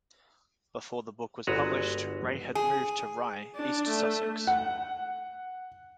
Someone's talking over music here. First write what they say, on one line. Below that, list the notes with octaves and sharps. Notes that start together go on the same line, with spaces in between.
Before the book was published Ray had moved to Rye, East Sussex.
G1 G#3 F#4 B4 A#5
G#4
D4
A3
F#5